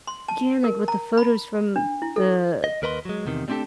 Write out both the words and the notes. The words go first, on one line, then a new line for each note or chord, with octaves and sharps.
Yeah, like, with the photos from the
C6
A5
A#4
A#5
B5
D4
E4
A4
D#5
D#2 A#4 B4 D#5 B5 C6
F#3 G#3
E2 C3 D#3
G3 A3 C4 D4 G4 A4